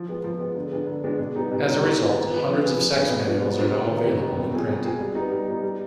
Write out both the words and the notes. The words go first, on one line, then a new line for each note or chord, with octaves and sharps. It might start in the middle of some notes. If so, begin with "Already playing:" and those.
As a result, hundreds of sex manuals are now available in print.
Already playing: F3
G#3 B3
F3
G#3 B3
D3
G#3 B3 D4
D3
G#3 B3 D4
B2
G3 B3 D#4 G4
B2
G3 B3 D#4 G4
D#3
B3 F4 G#4 B4
D#3
B3 F4 G#4 B4
F3
B3 D4 G#4 B4
F3
B3 D4 G#4 B4
B2
G3 B3 D4 F4
B2
G3 B3 D4 F4
C3
D#3 B3
C3
D#3 B3
B2
G#3 C4 F4 G#4
B2
G#3 C4 F4 G#4
G3
B3 D#4
G3
B3 D#4
G3